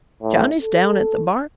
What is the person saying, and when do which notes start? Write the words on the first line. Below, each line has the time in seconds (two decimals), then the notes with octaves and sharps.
Johnny's down at the barn.
0.23 A2
0.62 A4